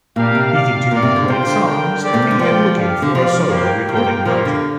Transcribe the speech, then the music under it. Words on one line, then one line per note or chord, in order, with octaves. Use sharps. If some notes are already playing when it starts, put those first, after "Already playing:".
He continued to write songs and began looking for a solo recording contract.
A#2 G3 D4 G4 A#4 F5
C3
F4 D5 F5
A#2 F4 A#4 D5 F5
C3
D3
C3 F4 C5 G5
F3
D3
D4 A#4 G5
C4 G4 A#4 D5
A#2
C3
D3
F3 F4 D5 G5
D4 G4 D5 F5
D3
F3 F4 D5 F5
A#3 G4 A#4 G5
G3 F4 A#4 G5
A#3
G3
F3 G3 A#3 F4 A#4
D3